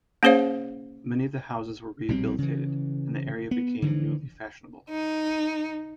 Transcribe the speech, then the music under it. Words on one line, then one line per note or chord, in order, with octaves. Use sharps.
Many of the houses were rehabilitated, and the area became newly fashionable.
A#3 C#4 G#4 C5 C#5 F5
A#1 B2 G3 C4
C#3 E3
B3
D3 E3 F3
D#4